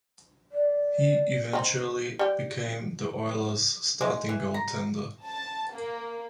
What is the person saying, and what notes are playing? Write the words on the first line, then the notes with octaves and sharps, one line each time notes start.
He eventually became the Oilers' starting goaltender.
D5
D#3 C4 D#4
G3 G4
G#3
E3
A#5
A5
A#3